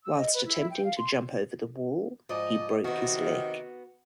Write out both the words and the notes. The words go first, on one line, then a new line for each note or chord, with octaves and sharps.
Whilst attempting to jump over the wall, he broke his leg.
E6
D#5
B4
E4
G5
F5
C6
G#2 F3 D5 D#5
C3 D#3 B3 F#4